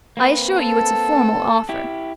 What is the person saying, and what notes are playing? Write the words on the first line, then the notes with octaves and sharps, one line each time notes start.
"I assure you it's a formal offer."
A#3 C4 B4
A4
E4 G4